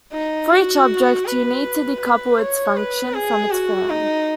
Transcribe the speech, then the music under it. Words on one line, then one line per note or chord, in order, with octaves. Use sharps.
For each object, you need to decouple its function from its form.
D#4
F#4
B4
B4
C#5
B4
G#4
F#4
D#4